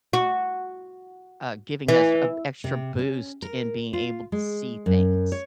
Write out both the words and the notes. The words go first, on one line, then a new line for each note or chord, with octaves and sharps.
uh, giving us a extra boost in being able to see things.
F#4
E3
C3
C#4
A#4
F4
G#3
F#2
C#5